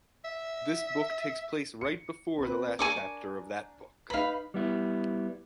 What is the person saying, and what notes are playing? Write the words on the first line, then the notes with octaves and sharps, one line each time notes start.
This book takes place right before the last chapter of that book.
E5
C#7
C4 B4
D4 A#4 G#5 C#6 D6
D#4 B4 F5 B5
G3 B3 E4